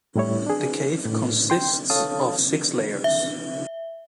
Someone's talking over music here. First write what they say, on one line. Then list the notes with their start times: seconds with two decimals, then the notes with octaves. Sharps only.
The cave consists of six layers.
0.16 A2 G3 E4 C#5
0.47 D4 G#4
1.06 A2
1.50 G5 C6
1.90 A4 C#5 F5 A5 D#6
3.04 E5